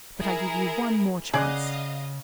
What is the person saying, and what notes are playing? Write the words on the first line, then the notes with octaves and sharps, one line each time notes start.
But I give you one more chance.
E4 G#4 A#4
C#3 G#4 D5 D#5 F5 F#5 D#6